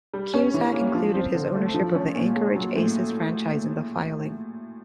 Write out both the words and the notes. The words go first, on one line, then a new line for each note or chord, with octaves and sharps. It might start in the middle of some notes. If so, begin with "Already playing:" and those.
Cusack included his ownership of the Anchorage Aces franchise in the filing.
G3
C#4
E3
A#3
F3
C4
D3
A3
F3
C#4
A#2
G#3
F#3
A2